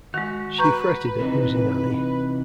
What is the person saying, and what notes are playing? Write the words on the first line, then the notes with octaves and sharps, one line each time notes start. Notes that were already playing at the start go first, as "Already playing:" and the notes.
She fretted at losing Annie.
D#3 G#3 F#4
B4 A#5 C#6 G6
C3 E3 D#4